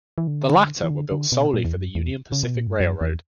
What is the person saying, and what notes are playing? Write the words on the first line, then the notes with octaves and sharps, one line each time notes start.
The latter were built solely for the Union Pacific Railroad.
E3
D3
E3
D3
D3
B2
A#2
E2
F#2
E2
C#3
B2
A#2
G2
F#2
E2